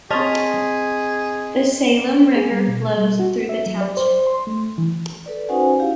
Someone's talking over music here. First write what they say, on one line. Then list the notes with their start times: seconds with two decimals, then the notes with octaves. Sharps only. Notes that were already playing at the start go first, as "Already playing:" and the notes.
The Salem River flows through the township.
0.11 C4 G#4 C#5 D#5 A5 C6 F6 B6
2.36 G#4
2.51 G3
2.68 B2
2.97 G3
3.19 F#4
3.49 E5
3.66 F#3
3.81 D5
3.97 C5
4.27 C6
4.47 A3
4.78 E3
5.26 A4 B4 D5
5.49 C#4 D#4 F#4 C5 F#5 G#5
5.79 E4 G4 F5